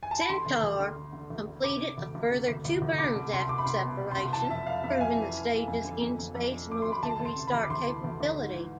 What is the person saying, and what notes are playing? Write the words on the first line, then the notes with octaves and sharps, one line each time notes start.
Centaur completed a further two burns after separation, proving the stage's in-space multi-restart capability.
G#5
A5
B5
D3 C6
D2
D2
D3
D3
D3
D2
D3
C3 D6
C3
D2
D2
C3
D2
D2
D2
C2 D6
C2
C2 C6
C2 D6
B5
C2 C6
B2
B2
C6
C2
E3 A5
F2 E5
F2 F5
F2 E5
F5
F2 G#5
E3
E3
E3
F2
D3
F2
F2
F2
D3
F2 D6
D3 C6
B5
D2 A5
D2 C6
C3
B5
D2
D6
D2 C6
E3
D2
D2
G#2
E3